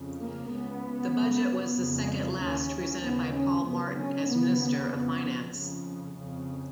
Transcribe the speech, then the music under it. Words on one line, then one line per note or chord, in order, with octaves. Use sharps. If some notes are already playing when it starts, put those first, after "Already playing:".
The budget was the second last presented by Paul Martin as Minister of Finance.
Already playing: F2 C#3
A#3
C#2 C#3 B3
F#2 C#3
F2 C#3
D#2 C#3 C#4
D#2 C#3 B3
C#4
F#2 C#3 B3
C#4
D#2 C#3 B3
F2 C#3
F2 C#3
F2 C#3